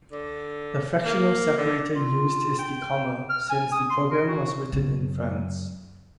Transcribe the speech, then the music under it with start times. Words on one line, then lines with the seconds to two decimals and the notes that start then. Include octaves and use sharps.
The fractional separator used is the comma, since the program was written in France.
0.12 D3
1.05 A#3
1.58 D3
1.96 F4
2.59 G5
3.30 F6
3.50 G#5
3.72 D#6
3.90 C6
4.12 A#4
4.27 F#4
4.73 F#2 C#3